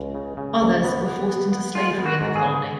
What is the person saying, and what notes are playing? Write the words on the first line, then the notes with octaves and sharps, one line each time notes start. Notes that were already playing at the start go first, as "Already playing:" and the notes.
Others were forced into slavery in the colony.
Already playing: C#2
C#3
C#3
C#2
B3
B3
B3
B3
G#3 F4
B3
F#4
G#2
G#4
B3